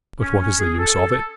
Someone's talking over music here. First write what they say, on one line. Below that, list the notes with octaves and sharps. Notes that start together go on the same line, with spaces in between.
But what is the use of it?
C#4
C#4
G#4
A4
A4
A4